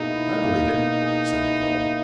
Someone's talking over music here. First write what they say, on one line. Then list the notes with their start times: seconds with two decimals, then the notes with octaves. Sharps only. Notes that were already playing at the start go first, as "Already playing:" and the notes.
"I believe it," said Nicholl.
Already playing: B2 A#3 D#4 E4 G#4
0.11 E4
0.42 A#3
0.72 B2
1.02 G#4
1.32 E4
1.62 A#3